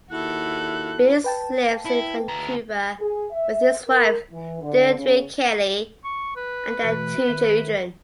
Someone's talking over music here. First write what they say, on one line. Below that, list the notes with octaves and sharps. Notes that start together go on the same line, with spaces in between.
Beers lives in Vancouver with his wife Deirdre Kelly, and their two children.
D#2 E4 F#4 A4 F#6
B4 G5 A5
E4
D2 A#5
G#4
E5
A#4
E3
D3
C#3
C#6
B4
B2 E3 A3
D#3 E5